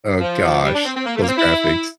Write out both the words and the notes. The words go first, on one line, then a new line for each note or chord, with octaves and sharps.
Oh gosh, those graphics.
F3
G3
D4
C4
C4
A#3
A3
A#3
C4
E4